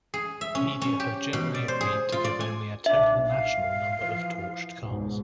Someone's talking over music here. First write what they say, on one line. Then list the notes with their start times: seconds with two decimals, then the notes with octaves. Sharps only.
Media have generally agreed to give only a total national number of torched cars.
0.14 G#4
0.41 E5
0.55 C#4
0.82 C#4
1.00 G4
1.33 B2
1.54 D5
1.68 C5
1.81 G#4
2.12 F4
2.24 D5
2.40 G#5
2.86 B1 A#2 D4 E5
3.27 F5
3.98 E3 F3
4.80 C#2 G#2 B2